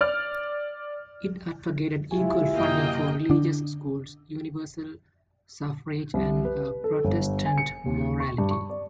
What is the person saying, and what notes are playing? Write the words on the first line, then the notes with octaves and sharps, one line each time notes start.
It advocated equal funding for religious schools, universal suffrage and Protestant morality.
D5 F6
C#3 G#3 E4 F4 G4 G#5
F#1 F#2 C3 A#3 D#5 G5
D3 D4
C2
B4
A4
G1
G#5
C#7
D#2
C#6
G2
C#6
D5